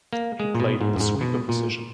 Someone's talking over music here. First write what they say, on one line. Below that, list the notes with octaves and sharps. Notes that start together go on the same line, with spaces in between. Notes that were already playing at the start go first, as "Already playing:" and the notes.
He played in the sweeper position.
A#3
G#3
A#2
B2
G#2
F#2
G#2
B2
A#2